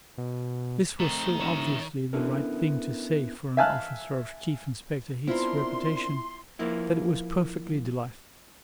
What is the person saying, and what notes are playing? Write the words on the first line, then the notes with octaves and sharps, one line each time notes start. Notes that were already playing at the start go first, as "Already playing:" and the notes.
This was so obviously the right thing to say for an officer of Chief Inspector Heat's reputation that it was perfectly delightful.
B2
D#3 A3 C4
E1 C#5 E5
B3 C#4 D4 E4 A4 A#4
E5 F5 G#5 A5 F6 F#6
B3 C4 D4 E4 F4 A#4 C6
F3 A#3 E4